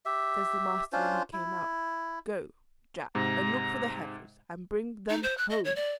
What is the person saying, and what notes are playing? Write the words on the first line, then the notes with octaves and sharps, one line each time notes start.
Says the master when he came out, "Go, Jack, and look for the heifers, and bring them home."
G4 E5
C#4 D4 F4 C5
E4
G#2 C3 A#5
D#4
C5
F#6
D#5
C#5
D5